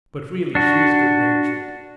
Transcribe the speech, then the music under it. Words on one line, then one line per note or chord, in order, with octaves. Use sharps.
But really she is good-natured.
D4 F#4